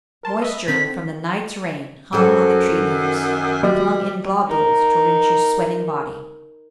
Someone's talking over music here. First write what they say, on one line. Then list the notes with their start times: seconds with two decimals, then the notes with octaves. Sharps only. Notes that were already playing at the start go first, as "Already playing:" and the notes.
Moisture from the night's rain hung on the tree leaves, clung in globules to Rynch's sweating body.
0.23 A#4 A5 C6
0.40 B4 D#5 E5
0.68 D3 C4 B6
2.13 F#2 F#3 C4 A4
2.82 D#3
3.63 F#3 G3 F#4
4.46 D#4 A#4